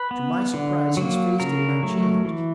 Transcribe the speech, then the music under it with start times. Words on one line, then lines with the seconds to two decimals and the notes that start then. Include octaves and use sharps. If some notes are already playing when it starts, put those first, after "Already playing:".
To my surprise his face did not change.
Already playing: B4
0.11 B3
0.54 D3
0.97 F#3 A#3
1.40 C#3 A#4
1.83 F#3 A3
2.25 E3